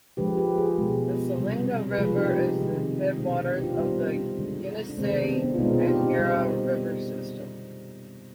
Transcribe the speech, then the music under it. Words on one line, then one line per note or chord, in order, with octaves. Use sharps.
The Selenga River is the headwaters of the Yenisei-Angara River system.
D3 F3 G#3 G4 B4
G4 B4
F4 G#4
B2 G#3
C3 G3
B4
C3 F3 G#3 F4 G#4
D#4 G4
G#4
D#4 G4
C3 D#3 G#3
B2 G#3 C4 D#4
B3 D4
C4 D#4
G4
D4 F4
D3 G3 C4 D#4
C4
D3 G#3
D4
C3 D#3 G#3 C4
B3 D4
C4
B3 D4
F4
B2 G#3 C4 D#4
D4 F4
D#4 G4
C4 D#4
D3 G3
C4